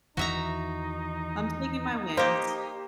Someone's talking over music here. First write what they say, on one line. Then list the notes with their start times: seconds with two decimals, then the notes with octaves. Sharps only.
I'm taking my wins.
0.17 E2 D#3 E3 D#4 F#4 E5 A#5
2.17 A#3 G4 C5